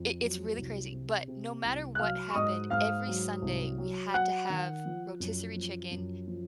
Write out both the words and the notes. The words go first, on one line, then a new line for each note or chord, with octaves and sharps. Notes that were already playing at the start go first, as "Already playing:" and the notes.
it it's really crazy, but no matter what happened, every Sunday we had to have rotisserie chicken
Already playing: F2
F#3
C2
C3
C3
C2
F#6
F#3 F5 F6
C#6
G#2 D#5 D#6
G#2 F5 F6
F#3
C2
F#3
F#3 F#5 F#6
D#3
F3
F#2
F3
F#2
F3